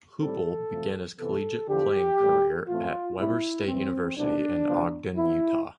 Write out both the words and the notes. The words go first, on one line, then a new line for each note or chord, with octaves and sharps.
Heupel began his collegiate playing career at Weber State University in Ogden, Utah.
A2 G3 C4 A4
D2 C3 F3 A3 C4
F2 C3 E3 B3 A4
E2 D3 F3 G4
A1 A2 G3
A2 E3 A3 C4 F4
B1 B2 G3 C4 E4
A1 G2 E3 B3 C4
C2 B2 A3 C4 D4
D2 C3 F3 B3
F2 E3 B3 E4